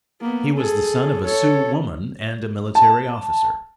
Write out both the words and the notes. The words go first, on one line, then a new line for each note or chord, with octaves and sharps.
He was the son of a Sioux woman and a military officer.
A#3 B3
G#4 A4
A4 C#5
A5